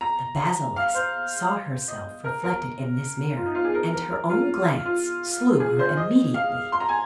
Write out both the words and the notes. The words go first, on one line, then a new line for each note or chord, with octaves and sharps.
The basilisk saw herself reflected in this mirror, and her own glance slew her immediately.
A#5
F5
C5
D#5
A#4
A#4
F4
D#4
F4
G#4
A#4
A#4
A#4
F4
F4
G#4
C5
D#5
F5
C6
A#5
G#5